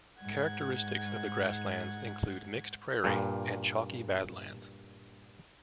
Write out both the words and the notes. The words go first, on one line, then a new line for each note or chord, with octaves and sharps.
Characteristics of the grasslands include mixed prairie and chalky badlands.
G#2 F#5 G#6
G2 A#2